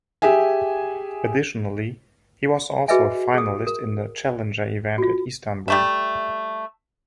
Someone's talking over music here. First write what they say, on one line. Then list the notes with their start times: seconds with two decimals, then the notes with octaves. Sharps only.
Additionally, he was also a finalist in a challenger event at Istanbul.
0.22 G4 G#4 E5 G#5
2.88 F#4 G#4 B4 D#5 E5 G#5
3.34 G#4 D#6
3.67 A#4
4.98 F4 F#4
5.68 G3 A3 E5